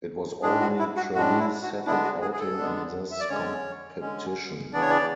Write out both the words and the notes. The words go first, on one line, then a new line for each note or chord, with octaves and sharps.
It was only Tralee's second outing in this competition.
A2 G#3 D4 G#4
F#4
E4
F#4
A2 G#3 D4 F#4
E4
F#4
D3 G#3 B3 D4 E4
F#4
G#4
G#4
A4
D3 G#3 B3 D4
E5
D5
D3 G#3 C#4 C#5
D3 G#3 C#4
C#3 E3 B3 D4 D5
C#5
D5